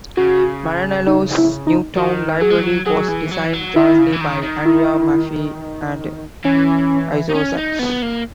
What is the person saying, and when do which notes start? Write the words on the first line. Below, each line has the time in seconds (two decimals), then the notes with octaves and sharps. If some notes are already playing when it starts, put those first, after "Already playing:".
Maranello's new town library was designed jointly by Andrea Maffei and Isozaki.
0.17 C#3 F#4
1.07 D#4
1.38 E4
1.67 D#4
1.97 D#3 F#4
2.41 F#3 G#4
2.51 G#3
2.59 F#3
2.86 F#3 G#4
3.09 E3
3.31 F#3
3.45 E3
3.53 F#3
3.76 D#3 E4
3.98 C#3
4.12 E3
4.21 D#3
4.43 D#3
4.65 E4
6.44 E3 C#4
7.30 D#4
7.35 C#4
7.57 D#4
7.79 B3
8.02 A#3